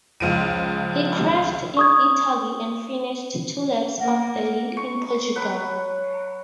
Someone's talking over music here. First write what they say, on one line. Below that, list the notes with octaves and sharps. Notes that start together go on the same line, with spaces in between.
He crashed in Italy, and finished two laps off the lead in Portugal.
C#2 F3 D7 D#7
C#6 D#6 G#6
A#3 A#4 F#5
C#6
F#3 B4